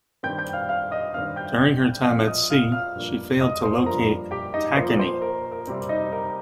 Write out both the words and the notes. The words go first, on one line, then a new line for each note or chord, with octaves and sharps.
During her time at sea, she failed to locate "Tacony".
G2 D#3 C4 G5 G6
G5 G6
F5 F6
F5 F6
D#5 D#6
G2 D#3 C4 F5 F6
G5 G6
G5 G6
A#2 F3 C4 F5 F6
D#5 D#6
F5 F6
F5 F6
G2 F3 A#3
D#5 D#6
C5 C6
G2 F3 A#3 A#4 A#5
G4 G5
D#4 D#5
A#2 F3 A#3 C5
C5
A#4
A#4
C3 G3 C4
D#4 D#5
A#4